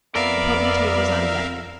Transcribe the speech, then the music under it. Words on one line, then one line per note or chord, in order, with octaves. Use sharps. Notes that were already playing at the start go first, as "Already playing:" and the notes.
The potentate was on deck.
F2 B3 A#4 D5 E5 F5